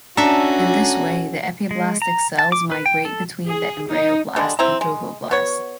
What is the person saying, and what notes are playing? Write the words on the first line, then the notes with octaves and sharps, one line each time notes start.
In this way the epiblastic cells migrate between the embryoblast and trophoblast.
C#4 D4 F#4 A4 E5 A#5
G#3
A#5
A5
D6
B4
G5
A4
G#4
D#4
D3 G3 G#3 D4
C4 E4 A#5
G#3
B3 F#4 C#5